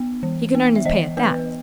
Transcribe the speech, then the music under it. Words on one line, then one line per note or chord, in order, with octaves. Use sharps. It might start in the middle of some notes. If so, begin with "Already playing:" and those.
He could earn his pay at that.
Already playing: B3
E3
B3
E5
E3 D#5
B3 B4